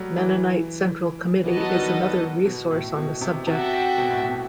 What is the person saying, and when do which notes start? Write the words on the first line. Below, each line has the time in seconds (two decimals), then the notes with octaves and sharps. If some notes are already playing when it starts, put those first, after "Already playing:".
Mennonite Central Committee is another resource on the subject.
Already playing: F#3 G3 A3
0.16 E3
1.44 E3 B3 F#4 A4 D#5
1.57 F#3
1.69 G3
1.81 D#3
2.45 B2
2.71 A2
2.96 B2
3.21 C3
3.47 C3 F#4 A4 E5 G5
3.98 B2
4.10 A2
4.23 B2